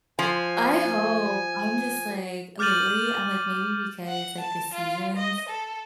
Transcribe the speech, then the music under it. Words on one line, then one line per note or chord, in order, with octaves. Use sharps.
I hope. I'm just, like, lately, I'm like, maybe because, like, the seasons,
F3 G#5
D6 F6 G6 A6 D#7 F#7
F#5
A5
F4
D#5
A4